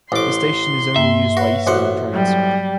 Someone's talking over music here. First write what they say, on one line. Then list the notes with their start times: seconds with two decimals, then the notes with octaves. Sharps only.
The station is used only by eastbound trains.
0.12 A1 E4 A4 C5 C6 D6
0.96 G2 A#3 E5 G5
1.37 F#4 B4 C#5 B5
1.67 A1 F#4 C5 C#5 F#5
2.14 F#3 G3